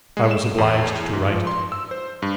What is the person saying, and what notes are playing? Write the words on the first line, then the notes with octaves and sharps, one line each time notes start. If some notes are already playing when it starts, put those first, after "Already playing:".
I was obliged to write it.
G#3
E7
E2
G#2
F3
C6
E6
C5
G2